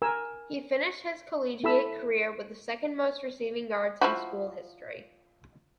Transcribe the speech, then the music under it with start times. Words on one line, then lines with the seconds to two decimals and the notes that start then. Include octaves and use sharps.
He finished his collegiate career with the second most receiving yards in school history.
0.02 A#4 G#5 E6
1.64 E4 A4 B5 E6
4.01 F3 E4 F#4